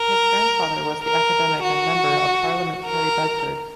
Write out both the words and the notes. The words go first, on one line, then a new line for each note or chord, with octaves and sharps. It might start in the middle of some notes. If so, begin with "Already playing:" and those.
His grandfather was the academic and member of parliament Harry Bedford.
Already playing: A#4
A#4
F#4
A#4